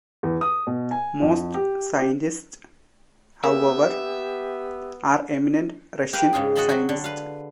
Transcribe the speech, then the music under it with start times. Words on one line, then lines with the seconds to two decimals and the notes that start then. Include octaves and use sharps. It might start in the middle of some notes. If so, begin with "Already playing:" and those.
Most scientists, however, are eminent Russian scientists.
0.23 E2
0.41 D#6
0.67 B2
0.91 G#5
1.21 F2
1.54 G4
1.99 G4
3.44 A#3 B3 G4 E5
6.13 G4 A#4 B4 F5
6.33 G#2 C#3 F4 G#4
6.55 F#4 G#4 D#5 A5 B5 C6
6.69 F#3 F#4
6.89 D3
7.04 B4 F5